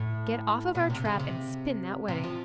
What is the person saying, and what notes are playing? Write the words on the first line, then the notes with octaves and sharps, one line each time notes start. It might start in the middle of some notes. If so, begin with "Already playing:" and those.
"Get off of our trap and spin that wedding."
Already playing: A2
B2
C3
C#3
C3
C3
F3